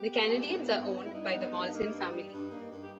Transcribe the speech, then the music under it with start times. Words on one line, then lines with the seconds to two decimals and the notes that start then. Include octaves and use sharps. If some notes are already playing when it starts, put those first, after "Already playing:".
The Canadiens are owned by the Molson Family.
Already playing: B3 G4
0.13 G#3
0.33 G#2
0.53 B3
0.73 G2
0.93 G3
1.06 E4
1.12 G2 D#4
1.32 B3
1.52 G2
1.71 A#3 D#4
1.92 G2
2.11 G3
2.31 G2
2.50 A#3
2.71 G2
2.84 G4